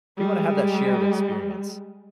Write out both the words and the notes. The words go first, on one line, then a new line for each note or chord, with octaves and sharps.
You wanna have that shared experience.
G3 G#3